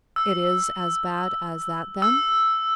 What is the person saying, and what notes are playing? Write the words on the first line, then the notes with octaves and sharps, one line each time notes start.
"It is as bad as that, then?"
E6
E6